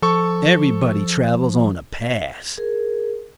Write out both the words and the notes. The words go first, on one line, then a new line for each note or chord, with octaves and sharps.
Everybody travels on a pass.
F3 A4 C#6
G#4 A#4